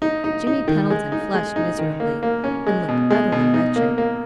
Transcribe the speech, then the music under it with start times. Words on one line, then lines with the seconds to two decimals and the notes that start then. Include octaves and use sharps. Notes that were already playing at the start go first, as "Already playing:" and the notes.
Jimmy Pendleton flushed miserably and looked utterly wretched.
0.02 D#4
0.24 D#4
0.47 D#4
0.68 D#3
0.90 G#3
1.12 D#4
1.34 G#3
1.56 D#4
1.79 D#3
2.00 A#3
2.23 A#3
2.44 C#4
2.67 G#3
2.89 B2
3.10 G#3
3.32 B2
3.54 D#4
3.76 A#3
3.98 A#3